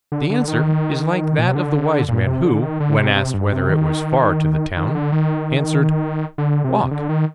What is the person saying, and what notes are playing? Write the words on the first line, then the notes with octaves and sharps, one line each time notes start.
The answer is like that of the wise man who, when asked whether it was far to the town, answered, "Walk!"
D3
D3
D#3
A#2
C3
D3
A#2
C3
D3
D#3
D3
C3
C3
G2
C3
D#3
D#3
D3
D#3
D3
C3
D3
D#3